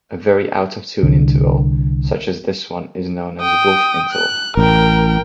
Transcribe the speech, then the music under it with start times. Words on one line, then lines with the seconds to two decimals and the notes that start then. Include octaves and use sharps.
A very out-of-tune interval such as this one is known as a "wolf interval".
1.03 C2 D3
3.41 G5 D#6
4.13 F#6
4.57 A1 A#4 G5